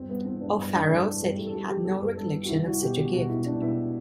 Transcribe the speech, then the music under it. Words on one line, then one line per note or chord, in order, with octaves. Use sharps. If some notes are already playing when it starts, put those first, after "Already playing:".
O'Farrell said he had no recollection of such a gift.
Already playing: G1 C4
G2 B3
E3 C4
G2 D4
G1
G1 D4
G2 A3
E3
G1 G3
E3 A3
A4
G2 G4
E3 G4
G1 A4
G1 B4
G2 A4
E3
F#4
C2 E4
C2 F#4
B2 G4
C2 F#4
B2 F#4
B2 E4
C2 D4
B2 E4